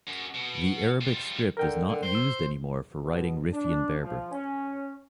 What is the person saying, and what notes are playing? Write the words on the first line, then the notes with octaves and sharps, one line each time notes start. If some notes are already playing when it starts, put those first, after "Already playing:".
The Arabic script is not used anymore for writing Riffian Berber.
F#2
B2 B3
G3 F4
D3 A#4 G5
D3
C5
E6
B2
D4
F3
C#4